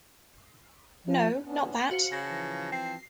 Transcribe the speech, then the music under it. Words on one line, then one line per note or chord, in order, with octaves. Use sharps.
No, not that!
F3
B3 C#4 D4
F#4 C5 F5 C#7
C#3 A#6
E3 F3 A5
C4 C7